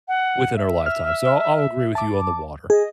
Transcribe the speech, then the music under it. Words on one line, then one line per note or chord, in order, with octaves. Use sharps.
within our lifetime. So, I'll I'll agree with you on the water.
F#5
E5
F6
A5 D6
G#4 D#5